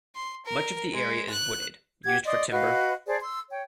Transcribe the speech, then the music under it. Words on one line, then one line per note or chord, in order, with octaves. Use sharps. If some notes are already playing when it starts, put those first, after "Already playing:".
Much of the area is wooded, used for timber.
C6
A#4
G#3
F#6
G4 F#5 G#6
D5 D#5 C6 D#6
F#4 B4 D#5 F5
G#4 C5 D5 A5
C6 E6
C#5 G5